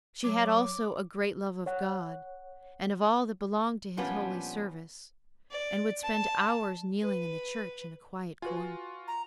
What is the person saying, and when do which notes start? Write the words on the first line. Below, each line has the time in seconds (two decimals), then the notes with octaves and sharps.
She had also a great love of God and of all that belonged to His holy service, and would spend hours kneeling in the church in a quiet corner.
0.24 F#3 D6
1.66 C#5 F#5
3.97 A#2 F3 G3 B3 C#4 D4
5.51 D5
6.03 A5
7.02 B4
8.42 F4 F#4 B4 G#5
9.08 A#5